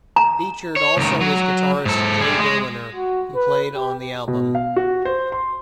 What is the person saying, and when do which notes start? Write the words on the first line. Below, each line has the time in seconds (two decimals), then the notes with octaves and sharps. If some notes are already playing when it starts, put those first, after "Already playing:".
Featured also is guitarist Jay Berliner, who played on the album.
0.16 A#5
0.76 C#5
0.97 C#2 D#3
1.21 F#3
1.85 G#2 A4
2.21 G3 G#4
2.40 G#3
2.95 F#4
3.35 B4
3.75 G4
4.28 B2
4.55 F5
4.76 F#4
5.05 C5
5.32 C6